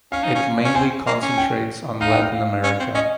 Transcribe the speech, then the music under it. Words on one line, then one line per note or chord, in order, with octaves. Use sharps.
It mainly concentrates on Latin America.
C#4 F5
D#4
C#4
C#4
C4 G#5
A#3
C#4
G5
D#4 F5
G5
F5
F5
C#4
C4
C#4 D#5